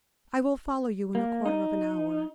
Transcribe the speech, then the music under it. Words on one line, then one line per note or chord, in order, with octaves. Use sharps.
I will follow you in a quarter of an hour.
A#3
D#4